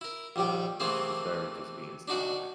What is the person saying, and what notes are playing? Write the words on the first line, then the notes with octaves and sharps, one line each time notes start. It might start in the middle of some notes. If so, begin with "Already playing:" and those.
Yeah, I think it's better just being inside.
E4 A#4
A#1 D#2 G3 G4 G5
C3 E3 A3 A#3 C4 G#4
D4 D#4 F#4 D5